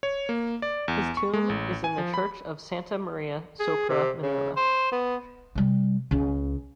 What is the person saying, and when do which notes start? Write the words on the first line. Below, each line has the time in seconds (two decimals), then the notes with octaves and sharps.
His tomb is in the church of Santa Maria sopra Minerva.
0.03 C#5
0.29 A#3
0.62 D5
0.88 E2
1.17 C#6
1.33 G#3
1.49 A1
1.84 G#5
1.98 F3
2.14 B5
3.59 G#4
3.89 C3
4.22 C#3
4.56 C5
4.92 B3
5.55 C3 G3
6.11 C#2 C#3